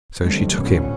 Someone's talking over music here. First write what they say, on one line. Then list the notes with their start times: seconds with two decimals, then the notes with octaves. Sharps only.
So she took him.
0.23 D3 D#3 F#3 G3 A3 C4
0.54 A1 F2 D3 B3 C#4